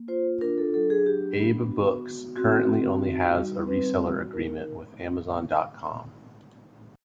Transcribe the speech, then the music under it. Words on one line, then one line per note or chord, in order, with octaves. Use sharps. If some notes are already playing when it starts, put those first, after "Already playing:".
AbeBooks currently only has a reseller agreement with Amazon dot com.
Already playing: A#3
F4 C5
D4 A#4
A4
F#3 A4
G#4
D4 G4
B3
F#4
B3
C4 F#4
F#4
D#4
G3
C4 B4
F#4
D#4 A#4